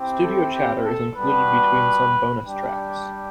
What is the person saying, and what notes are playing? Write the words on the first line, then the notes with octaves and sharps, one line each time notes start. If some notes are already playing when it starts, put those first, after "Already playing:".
Studio chatter is included between some bonus tracks.
Already playing: C4 E4 G4
A4
G4
A4
G3 B3 D4 F#4 B4
G3 D4 G4